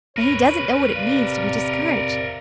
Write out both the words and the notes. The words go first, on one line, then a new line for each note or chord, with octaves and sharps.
And he doesn't know what it means to be discouraged.
A#4 B4 C#5
C3 D5 F5